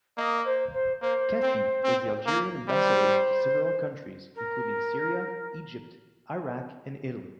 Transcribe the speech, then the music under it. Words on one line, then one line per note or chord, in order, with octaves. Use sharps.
Kafi was the Algerian ambassador to several countries, including Syria, Egypt, Iraq and Italy.
A#3 D#5
C5
C5
A#3 C5
C4
C4
A#3
G3 C5
A#4